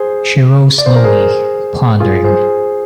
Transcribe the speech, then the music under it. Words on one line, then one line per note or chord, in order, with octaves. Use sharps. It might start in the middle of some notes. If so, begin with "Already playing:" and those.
She rose slowly, pondering.
Already playing: G#4 C5
D5
C5
A#4
G#4 C5
F4 G#4
G#4 C5